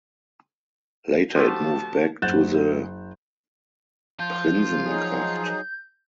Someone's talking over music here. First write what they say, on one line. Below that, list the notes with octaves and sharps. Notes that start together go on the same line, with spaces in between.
Later it moved back to the Prinsengracht.
F3 A3 F#4 G4 C5 A5
F#1 F#5 F#6 G6 A6 E7
F3 F4 A5 G6
F#3 D#4 G#4